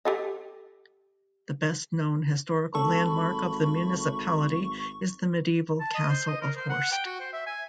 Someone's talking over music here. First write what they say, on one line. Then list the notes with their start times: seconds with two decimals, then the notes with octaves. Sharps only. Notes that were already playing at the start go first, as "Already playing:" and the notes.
The best known historical landmark of the municipality is the medieval castle of Horst.
0.05 G4 A4 D#5
2.75 G#1 A4 B5 C#6
5.80 A5
5.95 D#5
6.09 C5
6.28 D#5
6.41 A#4
6.56 C5
6.70 F#5
6.92 G5
7.06 F#4
7.20 C5
7.33 E5
7.47 G#5